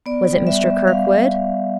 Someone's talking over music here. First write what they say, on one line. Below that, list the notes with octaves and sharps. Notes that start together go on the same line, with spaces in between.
Was it Mr. Kirkwood?'
B3 D5
G3
E5
B3
G3 F5